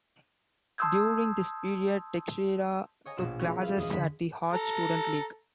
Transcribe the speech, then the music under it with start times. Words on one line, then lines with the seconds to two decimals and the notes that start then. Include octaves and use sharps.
During this period, Texeira took classes at the Art Students League.
0.78 A5 C6 D#6 E6 G6 G#6
3.05 C#5 D#5 G#5 A#5
3.17 A#1 B2 F4 E7
3.40 F3 G#3 A#3 B3 C#4 F#4
3.61 B4 E5 F5
3.76 E2 D#5
3.91 D3 B5
4.53 A4 A#5